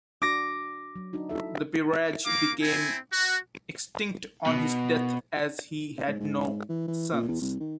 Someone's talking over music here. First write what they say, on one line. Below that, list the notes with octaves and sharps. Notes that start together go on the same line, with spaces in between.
The peerage became extinct on his death as he had no sons.
D4 F#4 D6 A#6
F#3
D4 D#4 F#4
E4 A4 E5
A#3 F5 D6
C4 E4 G#5
F#4
B2
G#2
G#2
G#2
E3
E3
A#2
E2
C2
D#3